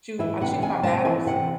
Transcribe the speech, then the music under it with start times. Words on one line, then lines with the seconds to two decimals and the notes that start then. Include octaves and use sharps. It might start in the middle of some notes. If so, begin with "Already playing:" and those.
choo I choose my battles.
0.19 E3 E5
0.41 C3 F#5
0.63 C3 G#5
0.83 C4 A5
1.05 E3 G#5
1.26 C3 F#5